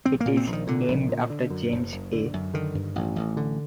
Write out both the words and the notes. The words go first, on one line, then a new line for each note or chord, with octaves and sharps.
It is named after James A.
A#1 C4
A#3
A#2
C4
A#1
D#3
A#2 D3
A#1
A#2
D3
F#2
F#1
F#1
D3
F#2
D3 D#3
G2
A1
A1
D3